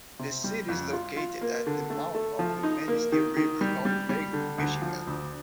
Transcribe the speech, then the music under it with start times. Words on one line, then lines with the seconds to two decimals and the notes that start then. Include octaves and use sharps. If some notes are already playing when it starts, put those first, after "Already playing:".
The city is located at the mouth of the Manistee River on Lake Michigan.
0.19 C3
0.44 G3
0.69 F2
0.93 F4
1.17 F4
1.41 A#3
1.67 D3
1.90 A3
2.14 A3
2.39 F3
2.63 D#4
2.88 A#3
3.12 D#3
3.36 D#3
3.61 G3
3.85 G3
4.09 G3
4.33 D3
4.58 D2
4.82 F3
5.07 D2